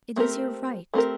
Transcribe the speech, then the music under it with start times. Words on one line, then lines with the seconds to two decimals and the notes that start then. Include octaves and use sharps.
It is your right.
0.16 A3 C4 G4 A#4
0.94 A3 C4 G4 A#4